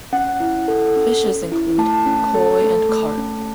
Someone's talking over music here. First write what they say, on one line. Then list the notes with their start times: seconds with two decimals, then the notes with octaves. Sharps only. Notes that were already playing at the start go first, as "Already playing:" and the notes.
Fishes include koi and carp.
0.13 C#4 F#5
0.40 E4
0.68 A4
0.96 C#4
1.24 C#4
1.52 E4
1.78 A3 A5
2.06 C#4
2.34 A4
2.61 A3
2.89 A3
3.17 C#4